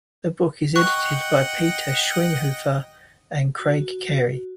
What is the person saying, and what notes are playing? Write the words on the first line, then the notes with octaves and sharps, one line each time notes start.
The book is edited by Peter Schweighofer and Craig Carey.
D#5 F#5 G5 C#6 F#6
F#4